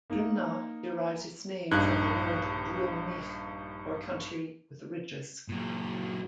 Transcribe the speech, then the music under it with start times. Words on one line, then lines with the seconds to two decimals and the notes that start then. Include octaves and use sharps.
Drimnagh derives its name from the word "druimneach", or country with ridges.
0.10 A#3 D#4
1.71 A#1 G2 D#4 F#6 G#6
5.48 A#2 F#3